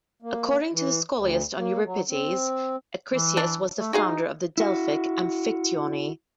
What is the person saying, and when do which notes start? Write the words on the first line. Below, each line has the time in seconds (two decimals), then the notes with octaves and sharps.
According to the Scholiast on Euripides, Acrisius was the founder of the Delphic amphictyony.
0.22 A#3
0.73 E3
1.17 D2
1.57 A#3
1.85 F#3
2.09 C4
3.13 E3
3.37 D4
3.79 A3
3.93 D#4 F#4 G#4 F5
4.58 E4 F#4